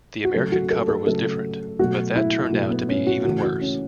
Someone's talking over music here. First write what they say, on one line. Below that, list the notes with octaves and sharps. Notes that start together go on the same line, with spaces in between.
The American cover was different, but that turned out to be even worse!
F#4
C#3 F#3 A3 A4
F#4
A4
A4
C#3 F#3 A3 A4
B2 F#3 A3 F#4
E4
B2 F#3 A3
B3
C#4
F#4
C#3 E3 A3 F#4
F#4
C#4